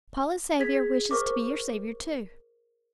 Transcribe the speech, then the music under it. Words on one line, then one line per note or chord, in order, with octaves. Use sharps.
Paula's Saviour wishes to be your Saviour too.
G#4 G#6 B6
A#4 C5 C#6 D6